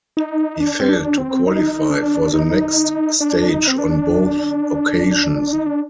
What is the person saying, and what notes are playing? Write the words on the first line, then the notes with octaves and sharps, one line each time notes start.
He failed to qualify for the next stage on both occasions.
D#4
D4
C4
D4
C4
D#4
D4
D#4
D4
D#4
C4
D4
D#4
D4